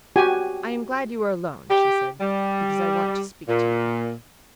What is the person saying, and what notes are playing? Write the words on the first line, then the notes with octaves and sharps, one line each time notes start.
"I am glad you are alone," she said, "because I want to speak to you."
F#4 G4 G#5
G4
G3
A#2